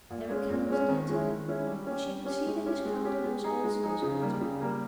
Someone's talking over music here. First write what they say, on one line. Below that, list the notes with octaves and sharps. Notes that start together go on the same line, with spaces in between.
There were candles near to him, and she could see that his countenance also was altered.
A#2
G#3 C#4
A#2
G#3 C#4
D#3
G#3 C#4 E4
D#3
G#3 C#4 E4
G3
C#4 G4
G3
C#4 G4
G#3
C#4 G4
G#3
C#4 G4
G#3
D#4 G#4
G#3
D#4 G#4
C#3
G3 A#3
C#3
G3 A#3